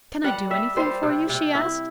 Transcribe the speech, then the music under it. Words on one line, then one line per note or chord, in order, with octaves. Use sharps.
"Can I do anything for you?" she asked.
G3 F#5
G3 E5
G3 C5
C3
C3
E4